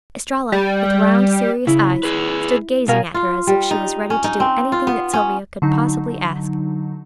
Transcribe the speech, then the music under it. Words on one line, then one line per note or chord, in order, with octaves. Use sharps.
Estralla, with round serious eyes, stood gazing at her as if she was ready to do anything that Sylvia could possibly ask.
G3
C#3 E4
G#4 B4
B2 A#4 F5 G#5
F4
G3
D#4
C#4
D#4
C4
F4
B3
C#4
D3 F#3 D#4